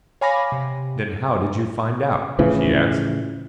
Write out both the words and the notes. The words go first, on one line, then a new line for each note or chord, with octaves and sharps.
"Then how did you find out?" she asked.
C#5 F5 G#5 B5 D6 A#6
C3
A2 C#3 E3 F3